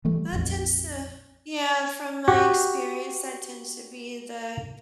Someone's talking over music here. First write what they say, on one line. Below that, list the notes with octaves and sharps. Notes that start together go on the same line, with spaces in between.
That tends to Yeah, from my experience, that tends to be the
E3 G3 A3
A#1 F2
F#4 G4 F#5